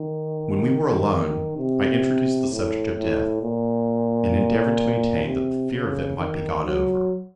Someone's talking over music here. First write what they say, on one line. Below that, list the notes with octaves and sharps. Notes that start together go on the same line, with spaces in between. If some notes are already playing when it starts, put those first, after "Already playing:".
When we were alone, I introduced the subject of death, and endeavoured to maintain that the fear of it might be got over.
Already playing: D#3
C3
A2
A2
A#2
C3
C#3
D#3
F#3